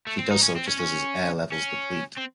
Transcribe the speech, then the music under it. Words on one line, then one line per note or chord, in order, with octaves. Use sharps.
She does so just as his air levels deplete.
A3
C4
D#4
C#4
C4
C#4
C#4
C#4
C4